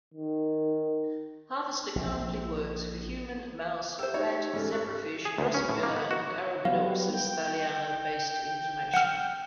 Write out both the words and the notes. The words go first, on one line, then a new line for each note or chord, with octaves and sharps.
Harvester currently works for human, mouse, rat, zebrafish, drosophila and arabidopsis thaliana based information.
D#3
A#1
G4 C5 E5 E6
D#4 C#5
G#2 C#4 A4
C#6 F#6
G#4
D2
C#4
A2
A#3
B3
F#4
F#3 G3 B3 F5
G5
F#5 F6